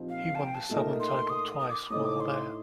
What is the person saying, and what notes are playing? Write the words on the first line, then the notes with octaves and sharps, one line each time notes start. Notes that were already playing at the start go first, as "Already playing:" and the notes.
He won the Southern Title twice while there.
Already playing: A#2 F3 C4 D#4 G4
F5
A5
G5
A5
A#2 A3 D#4 A#4
C6
D#6
D#6
D6
A2 A3 D#4 A4 C5 D#6
D6
C6